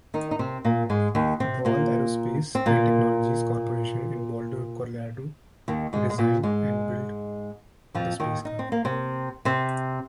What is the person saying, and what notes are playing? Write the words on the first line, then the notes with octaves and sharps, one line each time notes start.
Ball Aerospace and Technologies Corporation in Boulder, Colorado, designed and built the spacecraft.
D#3 D#4
D#4
C3 C4
A#2 A#3
G#2 G#3
D#2 D#3
C3 C4
A#2 A#3
C4
A#2 A#3
D#2 D#3
G#2 G#3
G#3
A#2 A#3
G#2 G#3
F2 F3
D#2 D#3
D#4
C4
A#3
C3 C4
C3 C4